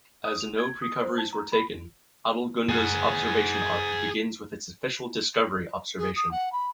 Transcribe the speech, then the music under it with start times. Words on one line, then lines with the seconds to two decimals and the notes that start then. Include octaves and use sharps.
As no precoveries were taken, "Adelgunde"s observation arc begins with its official discovery observation.
0.25 D#6
0.41 F7
0.58 G#6
0.82 D#6
1.03 C5
1.18 A5
1.33 A#5
1.52 B5
2.69 G#4 F#5
5.98 G#4
6.16 D#6
6.31 F#5
6.52 B5